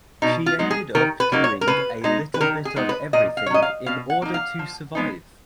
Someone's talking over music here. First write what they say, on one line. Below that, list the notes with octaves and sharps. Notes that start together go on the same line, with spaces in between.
She ended up doing "a little bit of everything" in order to survive.
B2 D#4
F4
G#3 B3 D#4
G#4
D#3 A#4
B4
F#3 A#3 D#4
C#5
A#4
C#3 B4
G#3 D#4
B4
D#3 A#4
G#4
G#3 B3 D#4
B4
A#2 D#5
F5
C#5
F#3 C#4 D#5
F5
B2 F5
F#5
A#3 D#4
F5
F3
G#3 B3 D#4